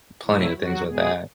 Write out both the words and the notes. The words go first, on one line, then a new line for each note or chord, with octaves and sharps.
plenty of things with that.
B2 F#3 A3 E4
F#3 F#4
B2 G#3 B3 G#4